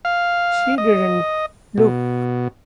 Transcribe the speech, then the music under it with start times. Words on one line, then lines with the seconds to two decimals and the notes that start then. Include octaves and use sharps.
She didn’t look.
0.05 F5
0.78 D#5
1.78 B2